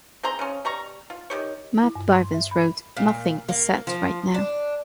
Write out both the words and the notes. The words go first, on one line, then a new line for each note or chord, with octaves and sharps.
Matt Bivins wrote, Nothing is set right now.
C4 G#4 A#5 C6
C#3 C#4
G3 A#5 C#6
F4
D#3 G4 C#5
E4
G2
C6
E5
B5
A#2
A#3
F3
D4